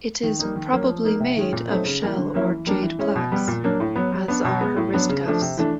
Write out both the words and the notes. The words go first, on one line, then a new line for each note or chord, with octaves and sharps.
It is probably made of shell or jade plaques, as are her wrist cuffs.
D#3
G3 A#3 D#4
D#3
F#3 A#3 C#4
F3
A#3 D#4
C3
D#3 G#3 C#4
A#2
F#3 A3 C4 D#4
C#3
E3 G3 A#3
D3
F#3 A#3 C#4 E4
E3
G3 A#3 D4
E3
G#3 C#4 E4
B2
G3 B3
A#2
F#3 A#3 D4
A2
F#3 B3
F#3
B3 D4
B2
G#3 B3
A2
F#3 B3 D4
C#3
F3 A3 D4
C3
E3 A3 D4